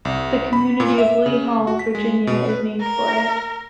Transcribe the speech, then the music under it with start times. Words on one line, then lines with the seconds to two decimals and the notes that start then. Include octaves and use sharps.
The community of Lee Hall, Virginia is named for it.
0.05 C2
0.53 B5
0.80 A#2
0.98 E5
1.26 C#3
1.67 F#4
1.79 B6
1.95 G#3
2.27 B2
2.49 B4
2.80 A#4